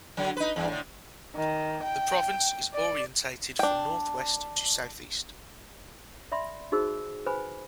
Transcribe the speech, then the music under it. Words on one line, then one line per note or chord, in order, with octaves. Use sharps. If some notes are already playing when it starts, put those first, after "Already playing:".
The province is orientated from northwest to southeast.
D3 F#3
D#4 B4
E2 G2
A2 D3
D#3
G5
D5
D4 G5
D5 E5 B5 C6
D#4 F#4 G#4 C5 E6
B4 C5 G#5 B5